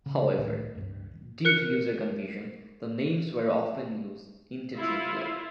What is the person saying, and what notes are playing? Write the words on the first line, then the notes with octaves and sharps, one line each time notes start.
However, due to user confusion, the names were often used interchangeably.
C#3
C#2 A2 D#3 A3
C#2 G2
A#4 F#6 C#7
E4 F4